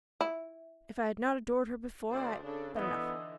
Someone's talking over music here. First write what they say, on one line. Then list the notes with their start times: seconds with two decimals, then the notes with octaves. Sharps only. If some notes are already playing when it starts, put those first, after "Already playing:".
If I had not adored her before I--but enough.
0.21 E4
2.10 D2 C5 D5
2.43 C#3 D4 A4
2.76 D3 E3 B3 D#5 E5